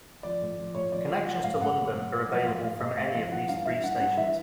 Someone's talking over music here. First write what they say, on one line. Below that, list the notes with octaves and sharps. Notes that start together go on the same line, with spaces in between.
Connections to London are available from any of these three stations.
F3 D5
A2
F3
A2 C#5
F3 D5
F3
F#3 F#5
A2 F5
A2 F#5
F#3
A2
F#3
F3 F#5
A2 F5
A2 F5
A2 D#5
A2 F5
F3 F5
E3 F#5
G2 F5
E3 E5
G2 F#5
G2 F#5
E3 E5